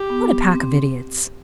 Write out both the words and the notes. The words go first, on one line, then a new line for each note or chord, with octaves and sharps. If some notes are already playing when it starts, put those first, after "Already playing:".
What a pack of idiots!
Already playing: G4
B3
C4